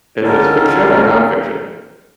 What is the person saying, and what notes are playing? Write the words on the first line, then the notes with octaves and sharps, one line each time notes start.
Is this fiction or nonfiction?
C#2 D3 D#3 C#4 A4 A#4